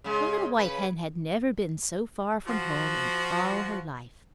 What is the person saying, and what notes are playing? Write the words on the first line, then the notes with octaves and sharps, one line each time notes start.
The little white hen had never been so far from home in all her life.
C#3 G#3
C#3 B4
F3 F#4